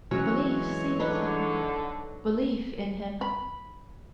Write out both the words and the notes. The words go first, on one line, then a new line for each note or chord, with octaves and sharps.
Belief saveth him; belief in him.
E3 F#3 G#3 C#4 F#4 C#5
D3 D4 D#4 B4
B5